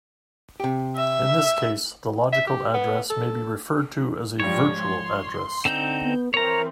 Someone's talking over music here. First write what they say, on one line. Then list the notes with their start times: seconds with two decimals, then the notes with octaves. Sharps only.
In this case, the logical address may be referred to as a virtual address.
0.60 C3 G4
0.96 E5
2.32 E5
2.47 G4
2.74 B3
3.10 A4
4.40 G#2 F3 G3 C#5
4.80 C6
5.65 D3 C4 D#4 G6
6.02 B3
6.34 E3 C4 A#4 C#5 A#5